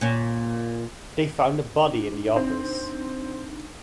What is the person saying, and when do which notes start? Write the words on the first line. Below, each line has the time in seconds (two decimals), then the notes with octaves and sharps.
They've found a body in the office.
0.01 A#2 C#4
1.82 D4 D#4
2.36 C4